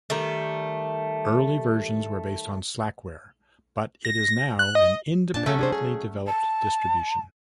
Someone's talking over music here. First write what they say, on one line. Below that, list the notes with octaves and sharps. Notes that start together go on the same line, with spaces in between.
Early versions were based on Slackware, but it is now an independently developed distribution.
D#3 G3 A3
A#6
F#6
D#5
A#2 D4 A5
F#3 A3 C#4 E5
D4 G#4 C5
G#4
A5